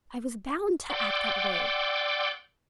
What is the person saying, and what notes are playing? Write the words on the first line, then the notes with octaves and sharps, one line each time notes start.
I was bound to act that way....
D5 F#5 G5 C6 D6 E6